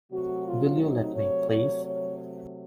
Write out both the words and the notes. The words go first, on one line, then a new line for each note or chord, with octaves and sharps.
Will you let me, please?
C3 F#3 A3 F#4
F4
D#4
C#5
C#5
C#5